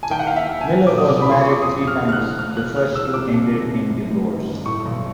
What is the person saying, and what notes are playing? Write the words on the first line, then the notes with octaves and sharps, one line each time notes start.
Miller was married three times, the first two ended in divorce.
G#5
D#3 G5
F#5
D#2 F5
E5
D#2
G#5
D#3
A#2 D6
D#6
C2 D6
C2 B5
C6
A#2 C#6
D6
F2 D#6
F1
F6
D3
F6
F#6
F1
D#2 F6
E1 F#6
D3 F6
E1 E6
C3 D6
C2
D#3
C2
F#2
G1
D#3
G1
A2 C#6
B1